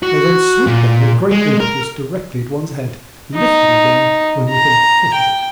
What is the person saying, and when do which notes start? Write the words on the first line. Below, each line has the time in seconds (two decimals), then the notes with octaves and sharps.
They then swoop down with great impetus directly at one's head, lifting again when within a foot of it.
0.03 F#4
0.67 A#2
1.31 G#3
1.60 A#4
3.35 D#4
4.49 A#5
5.14 G5